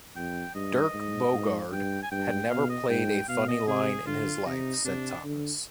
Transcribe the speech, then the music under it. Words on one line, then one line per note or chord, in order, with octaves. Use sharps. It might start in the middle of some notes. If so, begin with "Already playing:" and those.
Dirk Bogarde... had never played a funny line in his life, said Thomas.
F2 G5
G2 D#5
G#2
G#2
G2 G5
G#5
G2 G5
B2 F5
D#5
G#2 G5
B2 F5
D#5
C3 G#4
D3 F4
C3 D#4
C3 D4
D3